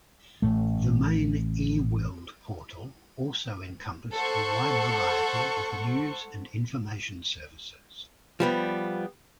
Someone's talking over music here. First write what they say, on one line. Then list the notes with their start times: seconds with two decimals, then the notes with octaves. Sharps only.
The main eWorld portal also encompassed a wide variety of news and information services.
0.42 A1 A2 A3
4.13 A4 C5 F#5 C#6
8.40 F3 G3 B3